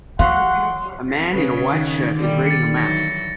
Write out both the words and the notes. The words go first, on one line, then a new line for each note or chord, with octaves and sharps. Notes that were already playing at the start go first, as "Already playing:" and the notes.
A man in a white shirt is reading a map.
E3 F#3 F5 F#5 C6
C#3 B4
D#3
D3 G3 A#3
A6 C#7
E3 F#3 A#6